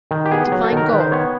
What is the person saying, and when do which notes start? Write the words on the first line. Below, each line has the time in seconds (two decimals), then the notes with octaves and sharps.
To find gold.
0.11 D#3
0.25 G4
0.31 B3 G#4
0.52 F#3
0.64 A4
0.72 D#3 A#4
0.88 D#3 B4
1.00 C5
1.12 B3 C#5